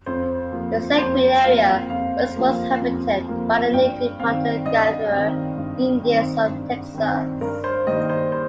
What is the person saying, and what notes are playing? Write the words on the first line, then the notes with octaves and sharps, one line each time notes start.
The Seguin area was once inhabited by the native hunter-gatherer Indians of Texas.
F2 C5
F3 A#3
F2 C5
F3 A#3 F5
F2 F5
F3 A#3
F2
F3 A#3
G2 G5
D#3 C4 F5
G2 D#5
D#3 C4
G2
D#3 C4
G2
D#3 C4
G2 A#4
C5
D#3 G3 A#3 D#5
C5
C5